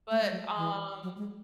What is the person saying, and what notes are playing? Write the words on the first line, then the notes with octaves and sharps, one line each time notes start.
But, um,
A3
G#3
F#3
E3
F#3
G#3